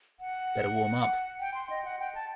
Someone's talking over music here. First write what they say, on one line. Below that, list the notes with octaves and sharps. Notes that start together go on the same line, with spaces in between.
Better warm up.
F#5
G5
C6
D#5
F#5
G5
A5